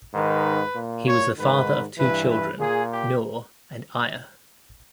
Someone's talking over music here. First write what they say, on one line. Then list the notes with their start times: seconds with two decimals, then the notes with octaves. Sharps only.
He was the father of two children, Nour and Aya.
0.13 G#2 D#3 B4
0.75 A#2
1.06 C#5
1.36 G#2 D#3 B4
1.98 G2 E3 B4
2.29 B4
2.60 A#2 G#4
2.91 G4